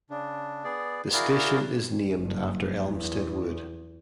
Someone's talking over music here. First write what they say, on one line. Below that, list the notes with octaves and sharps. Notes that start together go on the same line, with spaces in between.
The station is named after Elmstead Wood.
C#3 D4
B3 G#4 D5
E4 F#4 G#4 A#4 D5 F5
F#1 G2
E2